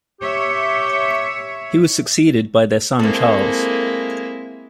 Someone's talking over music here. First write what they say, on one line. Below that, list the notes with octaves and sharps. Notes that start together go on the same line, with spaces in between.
He was succeeded by their son Charles.
G4 C#5 E5
G#3 A#3 C4 E4 A4 C5